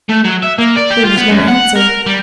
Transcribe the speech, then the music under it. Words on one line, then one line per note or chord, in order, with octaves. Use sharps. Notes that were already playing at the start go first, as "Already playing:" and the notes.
There was no answer.
A3
F#3
E5
A#3
D5
G4
F4
B3
F#2
F#5
A#4
G3